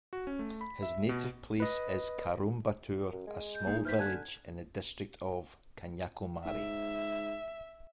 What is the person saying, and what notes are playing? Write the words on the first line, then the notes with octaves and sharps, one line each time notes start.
His native place is Karumbattoor, a small village in the district of Kanyakumari.
F#4
C#4
A3
B5
E5
B2
B4 D#5
F#2
G#3
G6
A#3 D#4 G#4
E3 C5 F6 G6 B6
D3 G#5 A5 F#6 G#6
G#2 E5